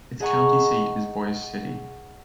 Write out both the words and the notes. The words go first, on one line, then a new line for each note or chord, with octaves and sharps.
Its county seat is Boise City.
G#4 D#5 F#5 A#5 C#6